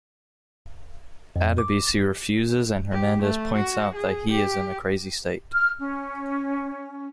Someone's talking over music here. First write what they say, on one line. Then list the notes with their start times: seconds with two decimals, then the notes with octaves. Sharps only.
Adebisi refuses and Hernandez points out that he is in a crazy state.
1.36 F2
1.58 D6
2.92 G4
3.23 A3
3.56 F#4
3.96 G#4
4.30 G4
5.52 F6
5.79 C#4